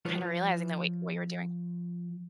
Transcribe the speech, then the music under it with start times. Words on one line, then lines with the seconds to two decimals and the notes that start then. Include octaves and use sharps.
kinda realizing that wha what you were doing
0.05 F3 F4 B4 C#5